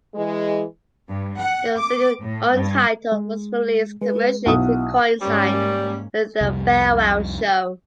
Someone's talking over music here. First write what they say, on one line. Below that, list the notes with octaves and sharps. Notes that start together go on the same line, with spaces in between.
The single "Untitled" was released commercially to coincide with the farewell show.
E3 G#3
G2
F#5
D6
A2
G2
G#3
G#3 B4
B1 B3 E4 F#5 D#6
G#2 G3 A#3 C#4
C2 F2 C3 G3